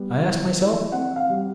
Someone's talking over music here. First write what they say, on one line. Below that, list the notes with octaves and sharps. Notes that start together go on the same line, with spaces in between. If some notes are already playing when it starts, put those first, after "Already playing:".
I asked myself.
Already playing: G3 B3
E3
E3
C4 F#5
F5
G3